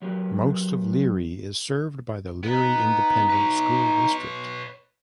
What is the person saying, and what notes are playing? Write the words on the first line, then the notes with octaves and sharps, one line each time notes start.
Most of Leary is served by the Leary Independent School District.
F#3 G4 A#4 B4
B3 D#4
B4 C#5